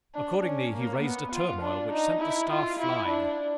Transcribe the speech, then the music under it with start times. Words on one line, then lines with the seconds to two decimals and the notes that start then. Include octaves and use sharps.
Accordingly he raised a turmoil which sent the staff flying.
0.15 D4
0.45 C#4
0.73 A#3
1.03 B3
1.32 F4
1.63 D4
1.92 D#4
2.21 E4
2.50 F4
2.80 E4
3.09 D4